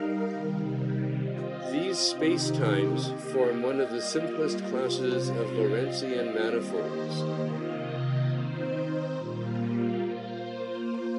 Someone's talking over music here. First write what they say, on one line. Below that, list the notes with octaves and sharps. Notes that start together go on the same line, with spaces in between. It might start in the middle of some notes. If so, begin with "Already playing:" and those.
These spacetimes form one of the simplest classes of Lorentzian manifolds.
Already playing: G3 D#4 A#4 F5
C3 D#3 G3
C4 F4 D#5
C3 D#3 C4 D#4 G4
A#3 G4 D#5
G3 A#3 F4 D#5
C3 G3 C4 F4 C5
G3 C4 F4 D#5
D#3 A#3 G4 C5 D#5
C3 D#3 A#3 F4 D#5
D#3 C4 D#4 C5
A#2 G3 A#3 F4
A#3 F4 C5